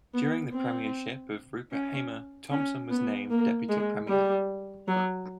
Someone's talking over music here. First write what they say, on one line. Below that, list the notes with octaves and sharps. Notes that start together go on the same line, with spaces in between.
During the premiership of Rupert Hamer, Thompson was named Deputy Premier.
B3
C4
C#4
C#4
B3
A#3
G#3
G3
F#3